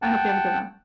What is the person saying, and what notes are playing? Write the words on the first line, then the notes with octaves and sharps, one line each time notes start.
I hope you have a good one.
F#5 G5 A5